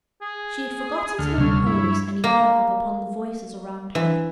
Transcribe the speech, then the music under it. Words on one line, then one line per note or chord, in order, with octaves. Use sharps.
She had forgotten to impose any curb upon the voices round her.
G#4
D2 D3 F6
C3 G3 C4 C#5
G2 E4
A#3
E3